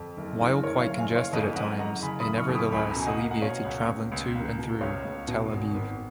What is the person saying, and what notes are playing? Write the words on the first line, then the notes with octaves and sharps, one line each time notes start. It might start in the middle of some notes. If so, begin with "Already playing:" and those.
While quite congested at times it nevertheless alleviated traveling to and through Tel Aviv.
Already playing: F2
F#1
F#1
F#1 A#4 C#5
C#5 F5
F#1
F5 G#5
F#1
C#5 F5
F2 B4 D#5
F#1 D#5 F#5
F#1 F#5 A#5
C#3 G#5 B5
B5 D#6
F#1
C#6 F6
F2
B5 D#6
C#2 G#5 B5
A#5
B2 G#5
D#5 F#5
A#3
F#5
B2 C#5 F5
C#2
C#2
C#2
A#3
B2
C#2 C#5 F5
C#2
B2
G#1
G#1